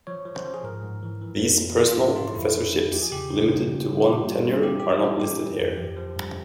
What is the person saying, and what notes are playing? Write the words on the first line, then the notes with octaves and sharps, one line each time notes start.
These "personal" professorships limited to one tenure are not listed here.
F3 C#5
F3
C5
F3
G#4
G#2 A#4
G#2
E3
E3
F2
E3
F3
F4
G#2 G4
G#2 F4
F2 E4
F3
F3
E2 G4
G#4
C#3 G4
C#3
G2
F3
G2
E3 G4
G2
F4
G2
E3 G4
G2 G4
F4
G2
E3 G4
E3
F2
F3
F3
G2